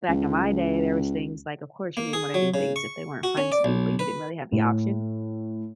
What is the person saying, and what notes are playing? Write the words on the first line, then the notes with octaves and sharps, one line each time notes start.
Back in my day, there was things like, of course, you didn't wanna do things if they weren't fun to you, but you didn't really have the option,
C#2
A#3
G#4
F#3
C#3
C#6
F#4
C#4
D5
B1
B4
A2